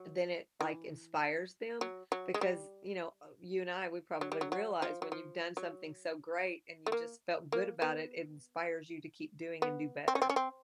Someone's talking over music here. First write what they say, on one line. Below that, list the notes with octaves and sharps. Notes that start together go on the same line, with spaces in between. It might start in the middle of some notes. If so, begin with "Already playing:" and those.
eh, then it, like, inspires them because, you know, uh you and I, we probably realize when you've done something so great and you just felt good about it. It inspires you to keep doing and do better,
Already playing: F#3
E3
F#3
F#3
G#3
G3
F#3
G3
F#3
F#3
F3
F#3
F3
F#3
A3
A#3
A#3
B3
B3
C4
C#4
C4
C#4
C4